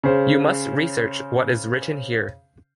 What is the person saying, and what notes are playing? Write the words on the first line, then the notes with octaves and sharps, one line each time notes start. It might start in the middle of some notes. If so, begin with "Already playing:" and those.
You must research what is written here.
C#3 C#4 C5